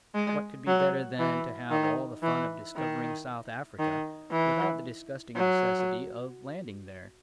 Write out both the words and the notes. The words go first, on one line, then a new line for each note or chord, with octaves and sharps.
What could be better than to have all the fun of discovering South Africa without the disgusting necessity of landing there?
G#3
F#3
E3
D#3
E3
D#3
D#3
E3
F#3